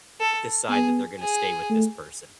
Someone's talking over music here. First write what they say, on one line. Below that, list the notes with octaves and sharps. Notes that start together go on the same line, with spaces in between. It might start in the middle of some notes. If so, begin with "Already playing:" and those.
decide that they're gonna stay with this person.
A4
B3 G#4
G#4
A3